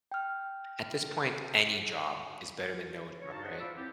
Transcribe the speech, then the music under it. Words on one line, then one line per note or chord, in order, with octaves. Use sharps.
at this point, any job is better than no job, right?
G5 F6
C#5
D#4 F#4 F5 A5
G#4 C5 C#5 D#5 F#5
F4 C5 D5 F5 B5 E6
C4 E4 G4